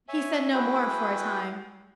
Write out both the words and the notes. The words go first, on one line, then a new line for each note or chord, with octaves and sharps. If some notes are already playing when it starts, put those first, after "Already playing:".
He said no more for a time.
C#5 E5 G#5
E4 F#4 G#4 B4 G5